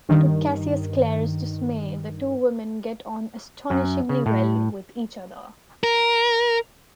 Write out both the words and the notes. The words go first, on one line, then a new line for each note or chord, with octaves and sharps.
To Cassius Clare's dismay, the two women get on astonishingly well with each other.
G2 D#3
F#2
C#3
A2
A#4